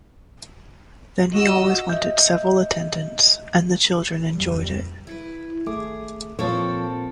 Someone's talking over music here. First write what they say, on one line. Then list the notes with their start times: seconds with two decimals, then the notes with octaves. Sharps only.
Then he always wanted several attendants, and the children enjoyed it.
1.34 F#4 D#5 E6
1.89 D#5 E5 G6
4.31 F1 D2 G3
5.07 E4 B4
5.66 G#1 A3 G#4 D6
6.39 A#2 F3 A#3 C4 A4 C#5